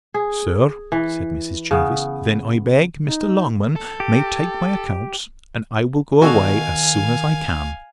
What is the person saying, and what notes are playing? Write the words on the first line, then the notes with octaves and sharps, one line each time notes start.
Sir, said Mrs. Jervis, then I beg Mr. Longman may take my accounts, and I will go away as soon as I can.
G#4
E3
C#3 B3
D#4
A4
G4
B2 D#3 F#4 A4 F5 G#5